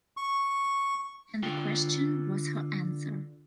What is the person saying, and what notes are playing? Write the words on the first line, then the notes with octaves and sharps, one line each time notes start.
And the question was her answer.
C#6
D3 F4 G5